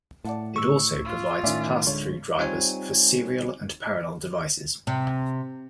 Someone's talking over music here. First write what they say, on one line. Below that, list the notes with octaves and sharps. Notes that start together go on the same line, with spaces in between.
It also provides pass-through drivers for serial and parallel devices.
A2 D5 F#5 A5
C#6 E6
F4
A2 D#3 C#4 D5 E5
D1 D3 G#3 C#5
G3 C4 D#4 F4 C#5 G#5
C3